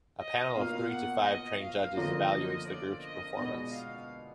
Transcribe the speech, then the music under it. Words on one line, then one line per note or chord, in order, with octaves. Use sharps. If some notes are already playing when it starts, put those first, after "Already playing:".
A panel of three to five trained judges evaluates the group's performance.
D#5
B2 A#3 F4 F5
F#5
D#5
F5
D3 F3 A#3 D4 F4 D#5
D5
D#5
B2 G#3 B3 D4 D#5
F5